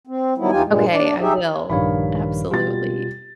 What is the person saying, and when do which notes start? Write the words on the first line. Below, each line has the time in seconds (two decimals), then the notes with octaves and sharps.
Okay, I will. Absolutely.
0.07 C4
0.38 D#3 F#3 G3 B3 E4
0.51 D#2 E3 D#4 F4 G4 G#5
0.65 G2 A#2 G#3
0.91 D4 D5
1.20 D#4 G4 G#4 E5
1.70 A#1 G2 D#3 C#5 F5 B5
2.51 B2 G3 F4 A6